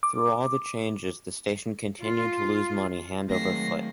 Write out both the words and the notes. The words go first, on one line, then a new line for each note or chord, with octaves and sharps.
Through all the changes, the station continued to lose money hand over foot.
D6
F4
D#3 F#3 G#3 A3 C4 A#6 C7